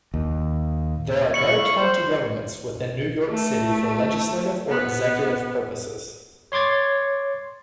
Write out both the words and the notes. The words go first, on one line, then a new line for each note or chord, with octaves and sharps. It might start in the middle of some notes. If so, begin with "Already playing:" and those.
There are no county governments within New York City for legislative or executive purposes.
D#2
E4 F5 C#6 C#7 F#7
C5
A3
B3
C#5 C6 D6 G#6 A6